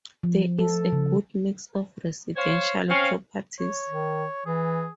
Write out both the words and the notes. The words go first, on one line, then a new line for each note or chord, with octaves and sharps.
There is a good mix of residential properties.
F3
A4
C#3
C5 C#5 F5
C4 C#4 F5
C#5
D#3
E3 G#4